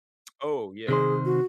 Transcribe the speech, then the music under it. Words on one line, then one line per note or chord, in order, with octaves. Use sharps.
Oh yeah.
C3 D#3 G#4 C5
F#4